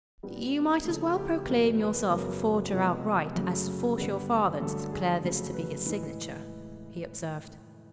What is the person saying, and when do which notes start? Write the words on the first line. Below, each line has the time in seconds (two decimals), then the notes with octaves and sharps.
"You might as well proclaim yourself a forger outright, as to force your father to declare this to be his signature," he observed.
0.23 A#2 G3 B3
0.85 C#3 F3 A3 A4
1.17 G4
1.48 E2 B2 F#3 A3 A#4
1.80 B4
2.11 F#2 C#3 F#3 B3 A#4
2.73 C3 F3 G#3 B3
3.35 F#2 C#3 F#3 A3
3.97 G2 D3 G3 B3
4.60 G2 D3 F#3 A3 A4
4.91 G#4
5.23 F2 C#3 F#3 A3
5.54 B4
5.86 A2 E3 G#3 B4